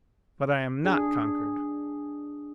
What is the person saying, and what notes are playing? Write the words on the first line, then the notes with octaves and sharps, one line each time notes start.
But I am not conquered!
D4 G#4